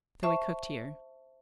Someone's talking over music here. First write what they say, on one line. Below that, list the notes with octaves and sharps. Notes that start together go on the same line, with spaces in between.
So we cooked here.
C5 E5 A5 C#6